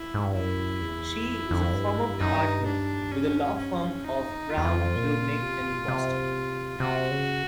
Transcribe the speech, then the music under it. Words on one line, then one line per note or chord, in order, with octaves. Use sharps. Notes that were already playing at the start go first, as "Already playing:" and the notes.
She is a former partner with the law firm of Brown Rudnick in Boston.
Already playing: E4
G#2
G2
F#2 E4
E2
F2
F2
G2
G#2
G2
F#2 D#4
G2
D4
C#4
C#4
F2 D#4
E2
F4
E2
F2
A#2
C3
C3
C3 F#4
C#3